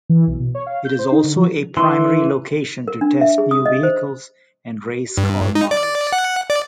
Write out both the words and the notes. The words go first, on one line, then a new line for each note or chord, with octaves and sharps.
It is also a primary location to test new vehicles and race car models.
E3
B1
B2
C#5
F5
G6
C5
D#4
D3
F3
E3 C6
A#4
D4
E5
G#4
D#6
D#5
C5
G2
D#4
D5
F#5
D5